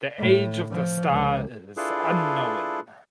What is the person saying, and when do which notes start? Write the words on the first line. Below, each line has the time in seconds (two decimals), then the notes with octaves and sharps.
The age of the star is unknown.
0.19 A2
0.71 F3
1.11 C#2
1.77 D4 E4 F4 G#4 A4 B4